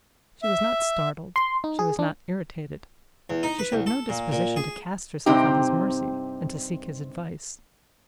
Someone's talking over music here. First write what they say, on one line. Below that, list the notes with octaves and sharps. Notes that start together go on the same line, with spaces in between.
She was not startled; she was not irritated; she showed no disposition to cast herself on his mercy, and to seek his advice.
E5
C6
D#4
G#4
D4
E2
D#4
B4
C2
A4
A#2
A#2
G#4
G2 C3 C4 D#4 G4